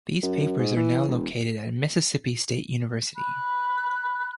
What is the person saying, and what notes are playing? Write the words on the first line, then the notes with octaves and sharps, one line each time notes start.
These papers are now located at Mississippi State University.
F#2
G#2
E3
E1
B5 F#6